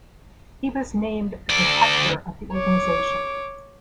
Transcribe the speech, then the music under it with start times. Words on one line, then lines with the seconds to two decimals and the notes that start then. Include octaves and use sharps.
He was named the Protector of the organization.
1.50 D2 D5
2.53 C#5 D6